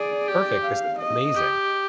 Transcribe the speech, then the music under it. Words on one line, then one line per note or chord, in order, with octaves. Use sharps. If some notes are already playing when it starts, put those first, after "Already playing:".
perfect. This is amazing.
Already playing: G#4 D5
G4
F5
D#5
G4